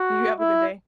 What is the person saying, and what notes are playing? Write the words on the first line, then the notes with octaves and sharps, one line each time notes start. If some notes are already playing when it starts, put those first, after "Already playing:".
You have a good day.
Already playing: F#4
E4